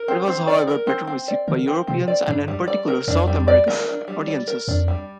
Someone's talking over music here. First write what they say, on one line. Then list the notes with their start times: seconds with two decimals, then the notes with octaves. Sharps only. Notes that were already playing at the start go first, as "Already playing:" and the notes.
It was however better received by Europeans and in particular, South American audiences.
Already playing: A#4
0.08 C4
0.28 C4
0.47 D5
0.67 A#4
0.87 C4
1.07 C4
1.28 D5
1.48 D3 A#4
1.68 C4
1.87 C3 C4
2.08 D5
2.28 G2 D4
2.48 G3
2.68 D5
2.88 A#4
3.08 F2 D4
3.27 G3
3.48 D5
3.68 A#4
3.88 D4
4.08 G3
4.28 D5
4.47 A#4
4.68 F2 D4
4.88 G3